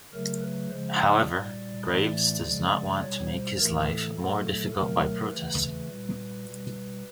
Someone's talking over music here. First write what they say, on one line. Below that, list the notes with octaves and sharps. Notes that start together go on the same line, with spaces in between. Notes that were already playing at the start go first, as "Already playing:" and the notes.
However, Graves does not want to make his life more difficult by protesting.
C#3 F#3 A3 A#4
B4
C#3 F3 G#3 C5
D5
A#2 G3
A2 E3 A3 D5
C#3 F3 G#3
B2 G3 C#5
C5
A2 E3 A3 A#4
A4
A#2 F#3 A3
B2 F#3 A3 A#4
C#3 E3 A3 B4
A#2 G3
B2 G3